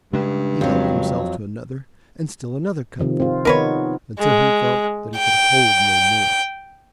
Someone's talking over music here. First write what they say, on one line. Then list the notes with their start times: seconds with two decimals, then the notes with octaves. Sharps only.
He helped himself to another and still another cupful, until he felt that he could hold no more.
0.13 G2 C#3 G#3 D4
0.61 F2 F#3
2.99 C3 D#3 F3
3.20 C4 F4
3.45 D#3 B3 D#4 A#4 B4 C#5
4.20 G#3
5.17 G5